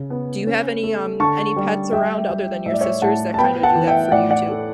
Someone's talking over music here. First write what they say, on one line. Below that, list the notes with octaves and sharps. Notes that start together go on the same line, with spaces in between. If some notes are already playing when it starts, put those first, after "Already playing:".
do you have any, um any pets around other than your sister's that kinda do that for you too?
Already playing: C#3
B3
C#4
A3
D3 A5 C#6
G3
G3 E5 G5
G3
A2 E5
D5
C#5 E5
A2 F#5 A5
A5
B3 G5 B5
F#5 A5
E3
E5 G5
A2 D5 F#5
D5 F#5
A3